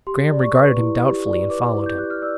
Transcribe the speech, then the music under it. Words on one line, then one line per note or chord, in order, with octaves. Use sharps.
Graham regarded him doubtfully and followed him.
G4 C6
D5
C#6
B4
E4
G4
D5
B4 D6
E4
G6
G4 F#6
F6
D5 E6